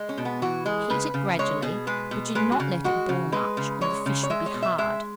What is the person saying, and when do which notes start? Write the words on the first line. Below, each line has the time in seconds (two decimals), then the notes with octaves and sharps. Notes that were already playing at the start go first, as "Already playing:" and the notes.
Heat it gradually, but do not let it boil much, or the fish will be hard.
Already playing: G#3
0.09 C#4
0.18 B2
0.25 B3
0.42 E3 F#4
0.66 G#3 G#4
0.90 C#3 B4
1.14 C#3
1.39 G#3 C#5
1.62 B2 G#4
1.87 G#3 B4
2.11 B2
2.35 G#3 B4
2.52 F#4
2.60 C#3
2.84 G#3 F#4
3.09 C#3
3.32 G#3 B4
3.57 C#3
3.81 G#3 C#5
4.06 C#3
4.23 C#5
4.30 G#3 E5
4.46 C#5
4.54 B2
4.62 E5
4.78 G#3 E5